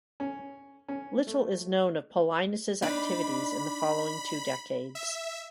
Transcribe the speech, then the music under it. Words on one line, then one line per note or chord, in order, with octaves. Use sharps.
Little is known of Paulinus' activities in the following two decades.
C#4
C#4
A3
D4 D#4 D5 B5
E5